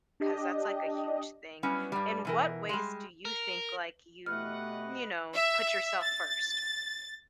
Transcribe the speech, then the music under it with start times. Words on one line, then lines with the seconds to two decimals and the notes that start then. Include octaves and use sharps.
'cause that's, like, a huge thing. In what ways do you think, like, you, you know, put yourself first?
0.20 D4 G4 D#5
1.63 F#3 G3 B3 C#4 E4
1.92 G2 G3
2.25 B2 E3 A#4
2.69 G3 G#3
3.25 A#4
4.26 B2 A3 G4 B4 D#5 F#5 F6
5.33 E5
6.04 A6